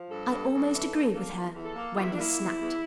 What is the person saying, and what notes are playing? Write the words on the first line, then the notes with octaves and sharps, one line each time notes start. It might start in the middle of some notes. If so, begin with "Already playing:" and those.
'I almost agree with her,' Wendy snapped.
Already playing: F3
G2 A4
G2
G2
E3
A#3
A#3
E2
E2
A4
A#3
E2 F4
E4
D4
A#3 E4
E2
E2